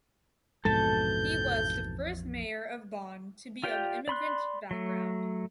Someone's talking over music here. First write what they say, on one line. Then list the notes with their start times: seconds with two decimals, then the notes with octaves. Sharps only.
He was the first mayor of Bonn to be of immigrant background.
0.65 A#1 F2 G#2 B2 E3 A4 A5 G6
3.64 F4 G4 D5 G5
4.08 D5 B5 C6 F#6
4.71 F#3 A3